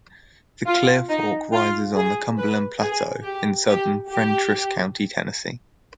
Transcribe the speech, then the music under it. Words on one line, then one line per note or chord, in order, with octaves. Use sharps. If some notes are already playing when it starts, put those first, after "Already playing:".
The Clear Fork rises on the Cumberland Plateau in southern Fentress County, Tennessee.
F4
D#4
F4
G#4
B4
G#4
G4
G4
G4